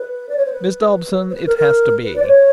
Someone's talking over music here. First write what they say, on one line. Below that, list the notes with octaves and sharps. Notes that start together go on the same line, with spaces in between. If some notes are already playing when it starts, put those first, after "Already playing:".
Miss Dobson, it has to be.
Already playing: B4
D5
C#5
C5
B4
C5
B4
A#4
A#4
B4
D5
C5
C#5